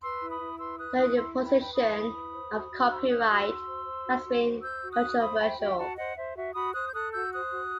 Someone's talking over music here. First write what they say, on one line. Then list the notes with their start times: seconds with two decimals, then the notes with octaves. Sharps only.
The imposition of copyright has been controversial.
0.02 B4 C6 E6
0.21 E4
0.31 B5 D#6
0.40 E4
0.59 B4 C6 E6
0.78 B4 D#6 F#6
0.98 E4 D#6 F#6
1.17 E4 C6 E6
1.36 B4
1.46 G5 B5
1.56 B4 G5 B5
1.75 E4 B5 D#6
1.94 E4
2.13 B4
2.32 C5
2.51 F#4
2.71 F#4
2.90 C5 C6 E6
3.09 C5 D#6 F#6
3.28 F#4 C6 E6
3.48 F#4
3.67 C5
3.86 C5
4.05 F#4
4.25 F#4
4.44 C5
4.63 C5 E6 G6
4.83 F#4
4.92 D#6 F#6
5.02 F#4
5.20 C5 B5 D#6
5.40 C5 G5 B5
5.59 F#4 E5 G5
5.78 F#4 F#5 A5
5.97 C5 D#5 F#5
6.16 C5 E5
6.36 F#4 E5
6.55 F#4 B5 D#6
6.74 C5 D#6 F#6
6.87 G6
6.93 A4 D#6 F#6
7.13 F#4 E6 G6
7.32 C5 D#6 F#6
7.51 F#4